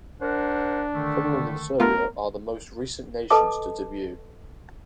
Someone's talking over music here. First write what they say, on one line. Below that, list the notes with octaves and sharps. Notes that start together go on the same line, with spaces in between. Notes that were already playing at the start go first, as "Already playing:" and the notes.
Finland and Serbia are the most recent nations to debut.
D4 A#4 C5 F#5
D3 D#3 A3
A3 B3 F4 A#4
A4 B4 D#5 A5 D6